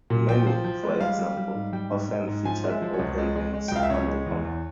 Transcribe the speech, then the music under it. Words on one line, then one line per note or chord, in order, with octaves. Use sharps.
Many, for example, often featured open rings on the pommel.
A#2
F3 G5
F3
F3
G#3
G3 F5
G3
G3
G#2
G3 G5
G#2
G#2
G#2
F3 G#5
G#3
E5
F3
C#5
C#2
G#3
G#3
G#3
G5
C#2 F5
E5
C#3 C#5
G#3
E2
E2